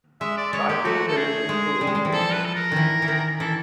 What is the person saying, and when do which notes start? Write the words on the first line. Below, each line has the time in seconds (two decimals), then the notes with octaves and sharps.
Strachan is allergic to elephants.
0.21 G#3 E5
0.37 D5
0.53 G#3 C#5
0.69 A#3 G4
0.85 A3 F#4
1.08 A4
1.17 G#4
1.49 G#3
1.81 G3
1.87 G#3
1.95 G3
2.05 E3
2.12 F3 A4
2.33 B4
2.45 A4
2.55 A#4
2.72 D#3 E3
3.02 E3
3.08 D#3
3.40 E3 A4